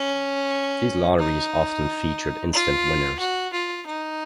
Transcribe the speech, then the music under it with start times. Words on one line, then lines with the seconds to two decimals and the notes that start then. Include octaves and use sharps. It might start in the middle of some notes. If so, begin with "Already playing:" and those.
These lotteries often featured instant winners.
Already playing: C#4
1.18 D#4
2.53 F4
3.19 F#4
3.53 F4
3.86 D#4